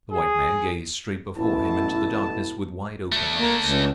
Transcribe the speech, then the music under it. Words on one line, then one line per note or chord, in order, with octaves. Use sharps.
The white man gazed straight before him into the darkness with wide-open eyes.
G#4
A1 B2 E4 A5
A3 D4
A#3
C#2